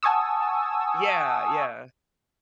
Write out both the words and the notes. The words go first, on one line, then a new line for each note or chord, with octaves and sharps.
Yeah, yeah.
F#5 G#5 A5 C#6 D#6 E6